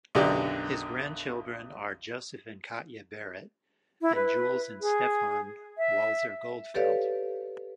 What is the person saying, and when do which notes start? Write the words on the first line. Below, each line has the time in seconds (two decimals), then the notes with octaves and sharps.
His grandchildren are Joseph and Katya Barrett, and Jules and Stefan Walzer-Goldfeld.
0.15 B1 F#2 D3 D4 G4
4.02 E4
4.15 B4
4.81 G#4
5.78 E5
6.74 G4 A4 B4 C#5 D5 F5